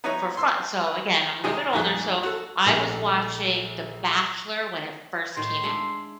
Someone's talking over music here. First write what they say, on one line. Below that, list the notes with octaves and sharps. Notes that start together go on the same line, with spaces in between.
for fu so, again, I'm a little bit older so, I was watching The Bachelor when it first came out.
B3 D#4 E4 C#5 A#5
C6 E6
B4
C3 D#3 G#4 D#5 G5 A#5
F2 A#2 D#3 G#4 F#6
F#4 A4
A#1 A3 D#4 G4 G#5 F6
A2 D#3 G5 C6
G#3 D4 E5